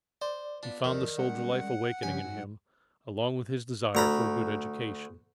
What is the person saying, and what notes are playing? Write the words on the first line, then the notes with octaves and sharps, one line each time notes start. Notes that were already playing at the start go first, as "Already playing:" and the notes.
He found the soldier life awakening in him, along with his desire for a good education.
C5 D5
B3 D4 F4
E2 D#3 F3 A4
G3 G#3 C#4 F#5
C#3 F3 C#4 G4 G#5
G#2 F#3
D2 A#5 B5